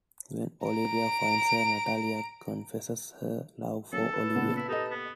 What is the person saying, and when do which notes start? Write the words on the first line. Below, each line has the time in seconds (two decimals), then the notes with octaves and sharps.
When Olivia finds her Natalia confesses her love for Olivia.
0.67 A#5 D7
3.93 F#3 A#3 C#4 A4
4.13 B4 A5
4.35 A#2 C#3 B3
4.56 E4
4.68 D#4 G4 A4 D#5
4.91 B3